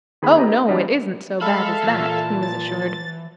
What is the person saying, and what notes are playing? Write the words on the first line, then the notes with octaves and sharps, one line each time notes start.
"Oh! no, it isn't so bad as that," he was assured.
D#2 D#3 B3 D#4 G#4 B5
B3 E4 G4 D#5 A#5
E3 F3 G3 D4 D#5
G#3 A4 E5 F5 A5 B5
A#2 E3
A6